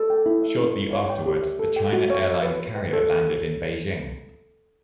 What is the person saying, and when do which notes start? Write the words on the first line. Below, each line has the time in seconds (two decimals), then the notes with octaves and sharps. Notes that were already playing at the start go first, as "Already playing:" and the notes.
Shortly afterwards, a China Airlines carrier landed in Beijing.
Already playing: A4
0.10 G5
0.26 E4
0.43 E5
0.60 C#4
0.76 B4
0.93 C#5
1.10 G5
1.26 G4
1.43 E5
1.59 A4
1.76 G5
1.93 F#4
2.10 C#5
2.27 E5
2.43 B4
2.60 B4
2.76 G5
2.93 A4